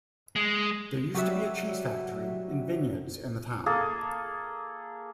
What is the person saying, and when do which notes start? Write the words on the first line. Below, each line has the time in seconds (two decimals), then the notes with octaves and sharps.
There used to be a cheese factory and vineyards in the town.
0.36 G#3
1.15 F#3 G3 F#4 E5
3.66 A#3 G#4 A4